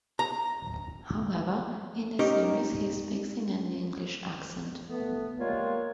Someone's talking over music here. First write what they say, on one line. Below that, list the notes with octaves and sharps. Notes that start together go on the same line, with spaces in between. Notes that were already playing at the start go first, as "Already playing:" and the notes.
However, in the series he speaks in an English accent.
A#5
C#4 D#4 G4 A#4
A3 B3
G3 G#3 A#3 F4 C#5